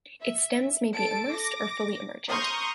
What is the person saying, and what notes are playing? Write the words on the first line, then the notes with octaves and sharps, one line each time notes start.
Its stems may be immersed or fully emergent.
E5
A4 A5 D7
D6 A#6
A#5 C6 C#6 D#6 F6 G6